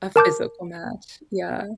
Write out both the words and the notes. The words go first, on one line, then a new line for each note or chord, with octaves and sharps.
a physical match, yeah.
A#4 A5 D6 G6